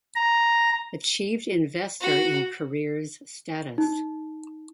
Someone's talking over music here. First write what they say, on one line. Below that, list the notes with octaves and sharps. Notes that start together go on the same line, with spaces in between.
Achieved Investor in Careers status.
A#5
F#4
D#4